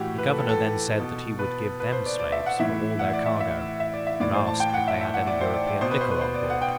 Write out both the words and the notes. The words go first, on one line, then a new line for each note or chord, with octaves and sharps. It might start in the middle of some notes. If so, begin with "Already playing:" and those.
The governor then said, that he would give them slaves for all their cargo; and asked if they had any European liquor on board.
Already playing: A2 E3 F#4 G4
B4
A4
A4
A4
B2
B4
B4
C5
D5
D5
E5
F#5
A2 E3 E5
F#5
D5
E5
E5
E5
D5
E5
A2 E3 D5
C5
A5
G5
F#5
E5
E5
F#5
D5
C5
D5
D5
B2 C5
B4
C5
B4
C5
D5
F#5
G5